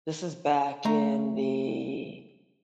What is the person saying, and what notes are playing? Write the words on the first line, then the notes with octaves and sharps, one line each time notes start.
this is back in the
A3 A#5